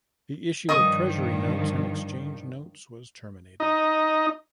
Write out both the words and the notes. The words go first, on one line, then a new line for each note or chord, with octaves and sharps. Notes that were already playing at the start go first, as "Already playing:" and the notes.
The issue of treasury notes and exchange notes was terminated.
G2 D#3 F3 D#5 C#6 D#6
D#4 D#5